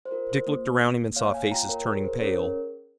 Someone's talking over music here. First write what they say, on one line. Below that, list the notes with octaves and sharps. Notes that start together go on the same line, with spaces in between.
Dick looked around him and saw faces turning pale.
C5
F4 A#4
C5
A#3
A#3
A#3 C#5 F5
F5 G#5
F4 G5 A#5
A#4 C#5
G#4 A#4
C5
C#4 A#4 C#5